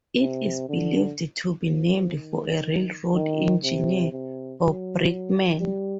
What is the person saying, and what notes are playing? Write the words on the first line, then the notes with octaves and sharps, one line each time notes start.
It is believed to be named for a railroad engineer or brakeman.
C3
D3
F3
D#3
D#3
C3
C3
F#3
G3